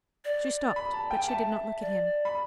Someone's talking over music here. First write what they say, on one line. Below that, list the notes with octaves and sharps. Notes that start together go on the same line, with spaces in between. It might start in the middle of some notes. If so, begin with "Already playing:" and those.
She stopped, but she did not look at him.
D5
B5
A5
G5
E5 A5
D5
B5